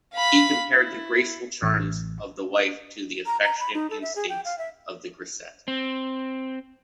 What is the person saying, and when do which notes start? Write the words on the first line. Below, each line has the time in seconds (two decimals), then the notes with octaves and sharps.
He compared the graceful charms of the wife to the affectionate instincts of the grisette.
0.14 F5 B5
0.74 E4
1.62 A1
3.26 A#5
3.44 A#5
3.60 B5
3.74 D#4
3.90 A4
4.01 E5
4.16 G#4
4.29 G5
4.45 F5
4.58 E5
5.68 C4